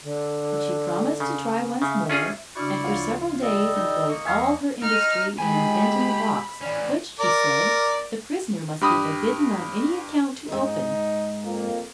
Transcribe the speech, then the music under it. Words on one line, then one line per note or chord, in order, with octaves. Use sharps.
But she promised to try once more; and for several days employed all her industry in inventing a box, which, she said, the prisoner must be forbidden on any account to open.
D3
C#3
C#3 E5
C#4 F4 G#4
C#3 D4 E4 F#4 D5 C#6
D2 F3 F4 C#5 F5
G3 A4 D#5
D#4
A#3 D#5 C#6
E2 F3 E5 F5 A#5 F6
D#4 F6
G#3 G4 G#5 B5
E3 C#4 D5
A#4 D5
G2 G4 B5 D#6
D#2 G#2 D#4
F2 A#3